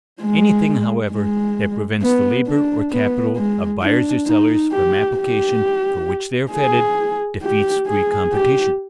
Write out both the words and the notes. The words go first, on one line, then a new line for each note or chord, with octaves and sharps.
Anything, however, that prevents the labor or capital of buyers or sellers from application for which they are fitted, defeats free competition.
G#3
G#3
B3
D4
B3
G#3
D4
D#4
G4
G4
G#4
G4
G#4
G4